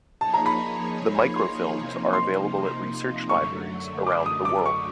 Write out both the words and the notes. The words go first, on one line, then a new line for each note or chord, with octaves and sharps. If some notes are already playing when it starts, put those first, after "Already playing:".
The microfilms are available at research libraries around the world.
F3 A#3 D#4 G#4 C#5 A5
A#5
B5
C6
C3 F3 A#3 D#4
C6
F#2 D3 F#3 A3 C#6
D6
D#6
D6
C#6